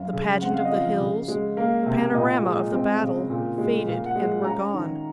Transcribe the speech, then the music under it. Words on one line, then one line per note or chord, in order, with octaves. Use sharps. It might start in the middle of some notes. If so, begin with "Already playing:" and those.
The pageant of the hills, the panorama of the battle, faded and were gone.
Already playing: F#2 F5
C#3
C4 F#5
F5
D#5
F3
F5
C#3
G#3
A#3 F5
C3
A#2 D#5
G#3
C4
C#3
A#2
G#3
A#2 F5
F#5
G#3
C#4 A#5
D#3